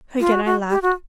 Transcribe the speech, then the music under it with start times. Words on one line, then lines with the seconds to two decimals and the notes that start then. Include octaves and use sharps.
Again I laughed.
0.20 F4
0.32 F#4
0.45 F#4
0.70 G4
0.82 F#4